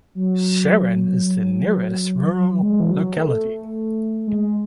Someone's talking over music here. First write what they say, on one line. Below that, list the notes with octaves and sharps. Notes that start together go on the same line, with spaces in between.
Sharan is the nearest rural locality.
F#3
G#3
E3
F#3
A3
G#3